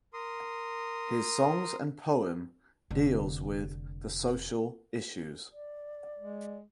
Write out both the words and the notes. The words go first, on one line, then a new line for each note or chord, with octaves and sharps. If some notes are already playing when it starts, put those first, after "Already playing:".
His songs and poem deals with the social issues.
A#4 C6 D#6
F1 D3
D5
G#3